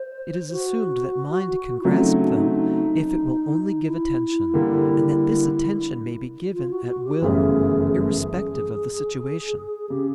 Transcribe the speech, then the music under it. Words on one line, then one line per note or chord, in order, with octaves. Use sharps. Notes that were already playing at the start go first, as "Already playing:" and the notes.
It is assumed that "mind" can grasp them if it will only give attention, and that this attention may be given at will irrespective of the situation.
Already playing: C5
F#4
E4
C#3 F#3 A3 C4 F4
D#4
D4
D#4
D#4
E4
D3 G3 A#3
F4
F#4
F#4
G4
G1 F#2 C#3 E3 A3 G#4
G#4
C#3 G4